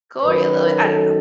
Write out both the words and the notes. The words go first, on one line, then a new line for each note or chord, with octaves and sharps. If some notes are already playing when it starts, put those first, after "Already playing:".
gory a little bit. I don't know.
F#2 D#3 F#3 B4
A4